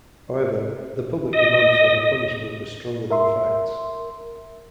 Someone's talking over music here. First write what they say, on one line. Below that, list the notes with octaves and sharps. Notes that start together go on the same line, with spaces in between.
However, the public demand for her punishment was stronger than facts.
D#5
A#4 E5 C6